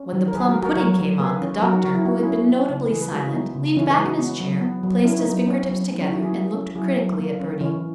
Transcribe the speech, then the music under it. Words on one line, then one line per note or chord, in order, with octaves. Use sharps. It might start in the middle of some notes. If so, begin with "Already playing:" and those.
When the plum pudding came on, the doctor, who had been notably silent, leaned back in his chair, placed his finger-tips together, and looked critically at Bertie.
Already playing: C#4
D#3
A#4
F#3 G#4 B4
F#4 A#4
A#3
F#4 A#4
F#3 A#4 C#5
F#3
A#3 G#4 B4
C#4
F#3 F#4 A#4
D#4 F#4
F#3 F#4 A#4
E4 G#4
A#3 D#4 F#4
E4 G#4
C#4
G#4 B4
B3
C#3
E3 G#4 B4
G#4 B4
G#3 F#4 A#4
E4 G#4
B3 D#4
C#3
E3 C#4 E4
G#4 B4
G#3
D#4 F#4
B3
F#3
B3
F#3
B3 C#4 E4
D#4
F#3
D#4
B3 C#4
F#3
F#3 D#4
C#4 E4
F#3 D#4 F#4
E4 G#4
A#3
C#4
F#3 E4 G#4
F#3
A#3
C#4
E3 C#4